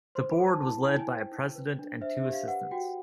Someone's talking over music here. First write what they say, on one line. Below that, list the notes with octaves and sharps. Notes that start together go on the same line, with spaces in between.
The Board was led by a President and two assistants.
C5 C6
B5
A4 G#5
A5
E4 A5
E4 G5
G#5
C5 G5
D#4
B4
D4
C5 E5
E5
G4
F5
B4 F#5
F#4 G5